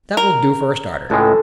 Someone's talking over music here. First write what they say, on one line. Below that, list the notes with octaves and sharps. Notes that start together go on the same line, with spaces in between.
That will do for a starter.
A#4
C#2 A2 G#3 A4